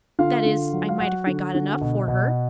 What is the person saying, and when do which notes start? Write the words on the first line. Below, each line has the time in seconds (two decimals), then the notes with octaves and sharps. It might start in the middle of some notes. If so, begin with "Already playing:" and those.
That is, I might if I got enough for her.
0.19 D3 F4 F5
0.45 D3
0.73 F#3
0.89 F5
1.00 F#3 F#4 F#5
1.27 D3
1.55 D3
1.81 B2
2.08 B2